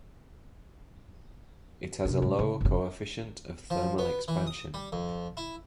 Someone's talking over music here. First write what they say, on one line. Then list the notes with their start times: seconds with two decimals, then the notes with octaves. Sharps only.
It has a low coefficient of thermal expansion.
2.05 C3 D4
2.22 G#2
2.39 C#3
2.61 F#1 C#3
3.70 F3
3.98 B3
4.28 E3
4.47 D#6
4.74 G3
4.92 F2
5.37 E4